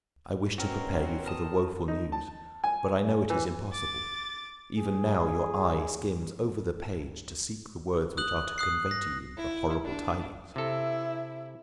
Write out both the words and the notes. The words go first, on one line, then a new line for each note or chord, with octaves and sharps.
I wish to prepare you for the woeful news, but I know it is impossible; even now your eye skims over the page to seek the words which are to convey to you the horrible tidings.
B2 C4 C#4 F#4 A#4
A#4 A5 D#6
D#4
A5
G#5
E3
D6 A6
G#4
D#6 F#6 F#7
D#6 F#6 C7
A#6
E4
D4
C3 E4 A4